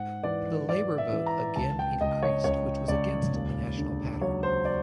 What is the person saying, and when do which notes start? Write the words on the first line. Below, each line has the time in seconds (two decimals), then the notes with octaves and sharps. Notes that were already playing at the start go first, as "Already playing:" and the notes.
The Labour vote again increased which was against the national pattern.
Already playing: G#2 F#5
0.23 E3 D5
0.68 E3 D5
0.98 E5
1.13 E3
1.26 A#5
1.56 C#2 A5
1.79 G5
2.01 C#2 D#5
2.23 C#5
2.44 C#2 C#5
2.88 C#2 D5
3.32 D#2
3.78 D3
4.21 F#3 C#5
4.43 C5
4.65 D5